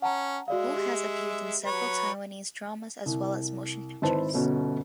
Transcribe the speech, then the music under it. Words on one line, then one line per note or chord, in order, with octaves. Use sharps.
Wu has appeared in several Taiwanese dramas as well as motion pictures.
C#4 F#5 A5 A#5
G#3 F#4 D5 E5 F5
G4
F#3 B4 C#5
C2
G#1 E4 B4 C5 A5
G1 B2 C#4